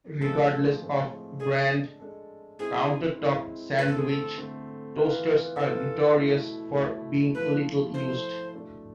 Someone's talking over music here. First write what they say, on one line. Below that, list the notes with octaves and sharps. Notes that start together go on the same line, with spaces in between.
Regardless of brand counter-top sandwich toasters are notorious for being little-used.
A2 F3 G#3 C4 G#4 A4
A2 F3 G#3 C4 G#4
G#3 D4 G#4 A4
G#3 D4 A4
G#3 C4 E4 G#4
G#3 C4 E4
D3 A3 C4 B4
A4
G#4
A4
D3 A3 C4
E3 B3 F4
E3 B3 F4 A4
B2 A3 E4
B2 A3 E4
F3 A3 E4 A4 B4
F3 A3 E4 A4 C5
B2 A3 D4